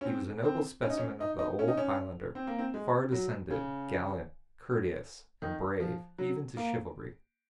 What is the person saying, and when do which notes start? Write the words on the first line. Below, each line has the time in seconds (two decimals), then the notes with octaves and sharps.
He was a noble specimen of the old Highlander, far descended, gallant, courteous, and brave, even to chivalry.
0.01 C#4
0.05 C4
0.44 C4
0.82 C#4
0.90 D#4
0.97 C#4
1.20 D#4
1.39 D#4
1.59 C#4
1.68 D#4
1.77 C#4
2.35 C4
2.47 A#3
2.59 C4
2.74 G#3
3.12 F#3
3.50 C#3
5.42 D#3
5.80 F3
6.18 F#3
6.57 A#3